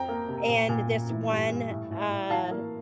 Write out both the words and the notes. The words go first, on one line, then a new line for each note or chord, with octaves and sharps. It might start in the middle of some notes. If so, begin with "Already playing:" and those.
in this one, uh,
Already playing: F2 G5 A#5
A#3
C3
A#2
A#2
A#2
E3
G2
G2
A2
A2
A2
E3 F5 A5
A#3